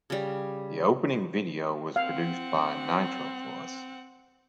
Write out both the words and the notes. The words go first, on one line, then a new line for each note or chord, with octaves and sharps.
The opening video was produced by Nitroplus.
C#3 G3
C4 F5 F#5